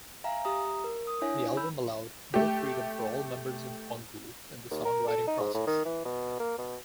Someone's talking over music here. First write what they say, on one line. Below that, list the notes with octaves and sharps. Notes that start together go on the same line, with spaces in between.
The album allowed more freedom for all members of Bungle in the songwriting process.
E5 F5 G#5 A#5
G4 E5 A#5 D#6
A#4
D#6
D4 E4 C#5 E5 G#5
B5 E6 G6
A3 G4
D#2
A#4
A4
D#4
G#2
A2
D#3
E3
B2
A#3
B2